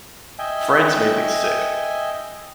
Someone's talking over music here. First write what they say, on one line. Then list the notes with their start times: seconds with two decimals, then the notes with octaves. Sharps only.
France made me sick.
0.39 D#5 E5 G5 G#5